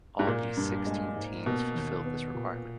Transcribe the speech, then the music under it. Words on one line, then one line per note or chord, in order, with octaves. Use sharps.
All these sixteen teams fulfilled this requirement.
G#2
A#2 A#3
G2
G#3
G#2
B2 A#3
D#2
B3
A#2